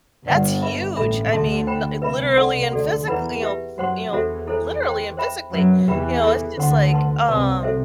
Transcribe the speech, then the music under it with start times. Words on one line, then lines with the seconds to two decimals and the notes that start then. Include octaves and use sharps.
That's huge! I mean, nuh literally and physic you know you know, literally and physically. You know, it's just like, um,
0.27 G1 G2 B4 D5 F#5
0.62 B4 E5 B5
0.96 A1 A2 D4 A4 E5 B5
1.31 D2 D3 A4 E5 A5 C6
1.67 C5 G5 B5
2.02 C2 C3 B4 E5 B5
2.36 D4 A4 D5 F#5 C6
2.71 D2 D3 F#4 A4 D5
3.07 E2 E3 E4 B4 F#5 B5
3.42 G4 B4 E5
3.77 F#2 F#3 F#4 C5 F#5 C6
4.12 E2 E3 D4 F#4 A4 C5 E5
4.47 E4 A4 C5
4.83 C5 G5 C6
5.17 C5 E5 G5 B5
5.52 F#2 F#3 B4 E5 B5
5.88 E2 E3 G4 B4 E5 G5 B5
6.22 A4 E5 B5
6.58 D2 D3 C5 F#5 C6
6.93 B4 F#5 A5 C6
7.28 C2 C3 B4 D5 A5 C6
7.63 F#4 A4 C5 E5